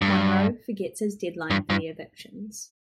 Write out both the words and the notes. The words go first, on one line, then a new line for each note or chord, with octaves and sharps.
Monroe forgets his deadline for the evictions.
G2
G2
G2